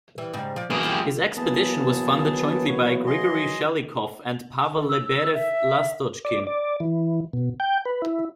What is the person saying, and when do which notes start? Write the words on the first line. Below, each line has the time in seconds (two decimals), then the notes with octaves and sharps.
His expedition was funded jointly by Grigory Shelikhov and Pavel Lebedev-Lastochkin.
0.18 E3 G3
0.33 G#2 C#3 G3
0.56 F3 D5
0.70 F#3 A#3 B3 G#4
0.83 G3 F4 G4
1.37 E3 F#3 A#3 B3 G#4 A5
2.68 C#5
3.07 G#4 D#5 C6
4.77 A4
4.89 E6
5.34 E5
6.25 D5
6.47 D5
6.80 E3
7.33 B2
7.60 G5
7.85 B4
8.02 E4